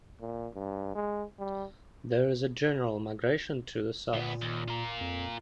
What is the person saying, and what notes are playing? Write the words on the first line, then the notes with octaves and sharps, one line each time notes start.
There is a general migration to the south.
A#2
G2
G#3
G3
D2 A#2 B3
D#2
F4 A#4
F2